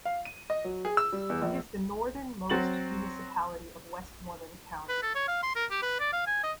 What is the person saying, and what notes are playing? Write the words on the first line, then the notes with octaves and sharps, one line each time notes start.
It is the northern most municipality of Westmoreland County.
F5
D#7
D#5
F#3
G#4
E6
G3
E2
A#1
F#3 C4 F#4 A6 F#7
B4
A4
C#5
F5
C6
A#4
G4
B4
D5
F5
G#5
D#5